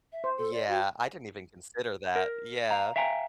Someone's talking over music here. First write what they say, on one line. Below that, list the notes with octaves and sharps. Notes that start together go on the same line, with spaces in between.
Yeah, I didn't even consider that, yeah.
E5
C5
A4
D5
F#4
A#4
F5 A#5
E5 F5 G5 G#5 A#5